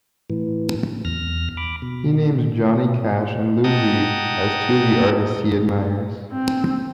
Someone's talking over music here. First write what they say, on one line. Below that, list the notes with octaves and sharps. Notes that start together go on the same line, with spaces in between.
He names Johnny Cash and Lou Reed as two of the artists he admires.
A2 E3
E2 F6 A#6
B5 D6
B2
A#2
D#5 F#5 G5 A5 A#5 D#6
C4